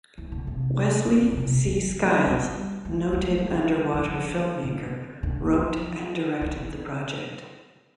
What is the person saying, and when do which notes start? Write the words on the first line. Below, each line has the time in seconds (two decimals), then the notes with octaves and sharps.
Wesley C. Skiles, noted underwater filmmaker, wrote and directed the project.
0.18 E3
0.32 D3
0.47 C3
1.06 D3
1.22 E3
1.32 B2
1.37 C3
1.51 D3
1.66 E3
2.26 G3
2.85 A3
3.13 A3
3.45 G3
3.94 E3
4.04 F3
4.63 D3
5.23 D3
5.53 F3
6.41 E3